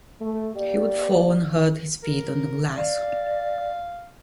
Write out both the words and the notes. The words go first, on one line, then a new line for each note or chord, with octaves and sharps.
He would fall and hurt his feet on the glass.
A3
A#3 G4 D5
A#4
D5 F5